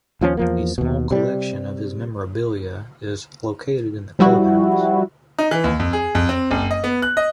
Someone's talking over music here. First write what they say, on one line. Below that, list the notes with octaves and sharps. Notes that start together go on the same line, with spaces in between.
A small collection of his memorabilia is located in the club house.
D#2 F3 B3 C#4
E2 F3 A#3
D#2 B2
C3 G3
F3 G3 E4 F#4
D#4
E3
D#2
F2
G#4
F2
C4
F#1
D#5
B3
F#6
D#5